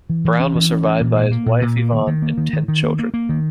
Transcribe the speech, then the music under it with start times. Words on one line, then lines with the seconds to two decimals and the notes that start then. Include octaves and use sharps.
Brown was survived by his wife Yvonne and ten children.
0.10 E3
0.25 E3
0.40 C#4
0.55 E3
0.70 C#4
0.86 E3
1.01 A#2
1.16 A#3
1.31 A#3
1.46 A#2
1.62 A#2
1.77 A#3
1.92 D#3
2.07 D#3
2.22 A#3
2.38 D#3
2.53 D#3
2.68 D#3
2.83 A#3
2.99 A#3
3.14 A#3
3.29 D#3